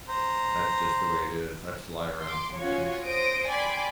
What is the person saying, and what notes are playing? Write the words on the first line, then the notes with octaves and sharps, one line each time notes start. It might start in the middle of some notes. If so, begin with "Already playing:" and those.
that's just the way it is, I fly around sometimes.
C5 A#5
C6 D6
C#4 F4 F#4 C#5
C5 D#6 A#6 D7
D5 G5 G#5 B5 C6 D6